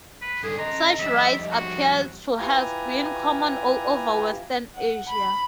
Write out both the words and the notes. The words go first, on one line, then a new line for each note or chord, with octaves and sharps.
Such rites appear to have been common all over Western Asia.
B4
G2 D3 G#4 A4
A4 D#5 A#5 C6
F2 G3 E5
F#4
E4 F4 G4 B4 G#5 A#5
F#5
B5